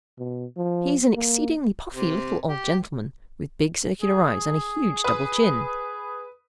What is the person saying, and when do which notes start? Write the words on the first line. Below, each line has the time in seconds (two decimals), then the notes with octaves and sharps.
He is an exceedingly puffy little old gentleman, with big circular eyes and a huge double chin.
0.19 B2
0.57 F3
1.16 A#3
1.93 C3
2.48 G4
4.02 G#4
5.04 B4 D#6